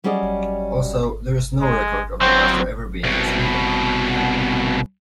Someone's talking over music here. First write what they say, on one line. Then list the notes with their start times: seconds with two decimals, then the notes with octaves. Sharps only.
Also, there is no record of the Master ever being in Sweden.
0.04 F#3 G3 C#4 G#4 D5 D#5
1.62 G#3
2.21 F#3 C4 C5
3.04 C2 B2